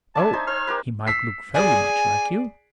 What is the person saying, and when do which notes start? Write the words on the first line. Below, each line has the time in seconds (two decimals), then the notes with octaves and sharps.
"Oh, he might look very much like you."
0.15 D4 E5 G#5 A5
0.33 D#4 C5 G#5
0.47 C5 F6
0.67 G4 A#4 B4
1.07 E6 B6 C7
1.55 G#4 D5 G#5